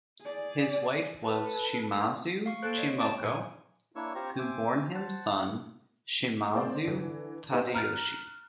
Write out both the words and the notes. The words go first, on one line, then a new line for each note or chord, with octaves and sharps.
His wife was Shimazu Chimoko who born him son Shimazu Tadayoshi.
G#4 D5
A4 B4
F5 C#6
A#3 A4 C5 F#6 D7
C#5 D#5
G5 A5
A#2 G#5
A#3 D4 E4 C#5 C#6 E6
C4 F4 G4 C5 A#5 C#6
C5 E5 G5 G#5 D6
C5 F#5 A5
G#3 A#3 C4 C5 D5
D3 E3
B3 D#4 G4 B4 C5 F#5
A#5 F6 F#6 A6